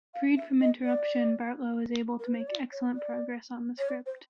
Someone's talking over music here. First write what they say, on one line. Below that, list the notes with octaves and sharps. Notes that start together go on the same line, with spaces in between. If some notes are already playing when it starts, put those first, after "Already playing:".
Freed from interruption, Bartlow is able to make excellent progress on the script.
F5
E5
D#5
D5
A#4
B4
C5
C#5
D5
C#5
D5
C#5
D5
C5